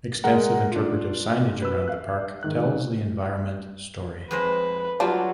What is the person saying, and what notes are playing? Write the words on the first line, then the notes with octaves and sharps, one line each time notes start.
Extensive interpretative signage around the park tells the environment story.
G#3 A#4 F#5 A#5
D4 F4
B4 E6
E5 F5 F#6
G#2 D#3 F#6
F2 G#3 B4 C5
F#3 G3 D4 F4